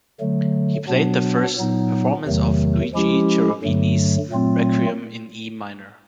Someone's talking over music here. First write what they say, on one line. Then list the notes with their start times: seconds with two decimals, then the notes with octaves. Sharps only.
He played the first performance of Luigi Cherubini's "Requiem" in E minor.
0.20 D3 F#3 A3
0.88 B2 F#3 B3 D4
1.57 A#2 F#3 B3 D#4
2.26 E2 C3 D#3 F#3 A3
2.93 F3 G#3 C#4 E4 G4
3.63 G2 D3 F#3 A3
4.30 A#2 F#3 A3 C4 F4